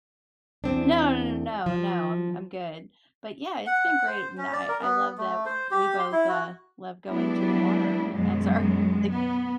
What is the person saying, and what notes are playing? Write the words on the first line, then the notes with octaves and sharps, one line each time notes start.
No, no, no, no, no I'm I'm good, but, yeah, it's been great, and I I love that we both, uh, love going to the water, and that's our, like
E2 C4 D4
F3
F#5
C5
C#4
D5
A#4
B3
A3
C5
G4
C6
E4
F#4
F#3 G#3 B3 D4 E4 G4
F#2 B2 D#3 F#3 G#3
B3